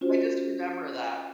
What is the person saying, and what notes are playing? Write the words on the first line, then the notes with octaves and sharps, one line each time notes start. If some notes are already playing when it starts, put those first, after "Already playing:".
I just remember that.
C#4 F4 F#4 C5